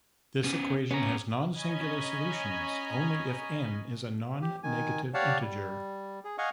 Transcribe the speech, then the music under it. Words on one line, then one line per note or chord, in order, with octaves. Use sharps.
This equation has nonsingular solutions only if "n" is a non-negative integer.
B3 C#4
B3 C#4 A#5
C#4 C#5 D#5 G#5 A#5 B5
G4
D#3 G#5
G4 C#5 D5 F5 F#5 A5
G3
G#4
D#5 F5 F#5 G#5 C#6